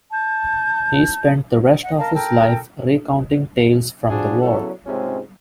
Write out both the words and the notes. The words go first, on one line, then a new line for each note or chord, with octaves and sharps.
He spent the rest of his life recounting tales from the war.
A5 G6
D#5 F#5
A#4 D#5 F5 A5
A4 A#4 G5
F3 G3 D4 F#4 G#4
C#3 F#3 B3 E4 A4
C#2 G#2 C3 C4 C#4